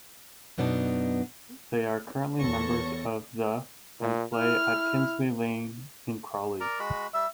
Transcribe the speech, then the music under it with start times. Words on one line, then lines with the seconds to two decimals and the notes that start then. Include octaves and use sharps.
They are currently members of the and play at Tinsley Lane in Crawley.
0.58 F#2 B2 B3 D4 D#4
2.40 E2 A4 C#5 C#6 A#6
4.00 A#2
4.37 E4 F6
6.60 A#4 D5 A#5
6.79 G#3 F#4 B5
7.14 G3 E5 E6